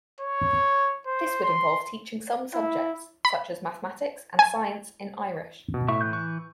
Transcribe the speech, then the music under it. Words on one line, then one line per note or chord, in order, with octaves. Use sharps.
This would involve teaching some subjects such as Mathematics and Science in Irish.
C#5
C5
C6
E4
B5
G#5
B2
A2 E5 C#6
E3 F#6 G6
C#6